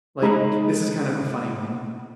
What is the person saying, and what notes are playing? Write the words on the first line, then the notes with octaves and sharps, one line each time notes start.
like, this is kind of a funny one,
G#3 D#4 G#4 A#5 B5